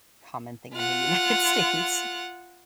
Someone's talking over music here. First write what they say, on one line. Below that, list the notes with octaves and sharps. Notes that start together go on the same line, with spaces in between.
common thing in the United States.
F4 F#5